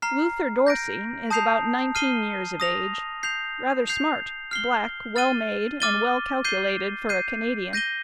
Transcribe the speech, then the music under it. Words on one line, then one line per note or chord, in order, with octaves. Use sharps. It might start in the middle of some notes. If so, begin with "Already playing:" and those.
Luther Dorsey is about nineteen years of age, rather smart, black, well made and well calculated for a Canadian.
A#5 F6 C7
G6 A#6 D7
A5 D#6 G6 C7 F7
F6 C7 D#7 G7
D#6 A#6 F7
G6 C7 F7
G6 C7 F7
F6 C7 G7
F6 A6 D#7 G7
D6 F6 A6 D#7 G7
G6 C7 D#7 G7
G6 C7 D#7
G6 A#6 D#7 G7